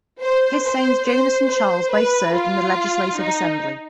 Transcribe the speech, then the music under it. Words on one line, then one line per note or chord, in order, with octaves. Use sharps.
His sons Jonas and Charles both served in the legislative assembly.
C5
C5
C5
C5
B4
F4
D#4